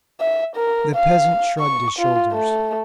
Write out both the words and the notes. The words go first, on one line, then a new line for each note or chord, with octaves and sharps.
The peasant shrugged his shoulders.
E5
A#4
F5
C#6
F4
A3